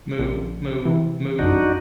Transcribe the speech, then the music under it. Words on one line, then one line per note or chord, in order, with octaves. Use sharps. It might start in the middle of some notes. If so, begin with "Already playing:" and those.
Moo Moo Moo!
A#1
C3 E3
A#1 F#2 D4 D#4 F#4